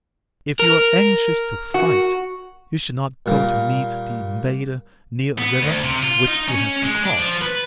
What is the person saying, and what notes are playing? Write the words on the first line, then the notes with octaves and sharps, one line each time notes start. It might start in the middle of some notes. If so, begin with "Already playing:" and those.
If you are anxious to fight, you should not go to meet the invader near a river which he has to cross.
A#4
F#4
A#2 G3 A#3
B3
D2
C3
F4
D#4
C#4
G#3
D4
F3
B4